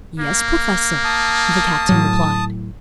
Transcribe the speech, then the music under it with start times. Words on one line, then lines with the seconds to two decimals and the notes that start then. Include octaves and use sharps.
"Yes, professor," the captain replied.
0.20 A#3
1.05 A5 D#6
1.89 A2 F#3